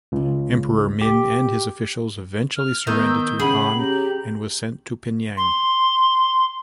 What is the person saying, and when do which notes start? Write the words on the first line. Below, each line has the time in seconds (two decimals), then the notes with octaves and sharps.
Emperor Min and his officials eventually surrendered to Han and was sent to Pingyang.
0.12 C#2
1.01 G4
2.57 F6
2.87 D#3 B3 A#5 E6 G6
3.40 C#3 G#4 F#5 G5 B5 F#7
3.78 C#4 G4 A#5 G6
5.37 C6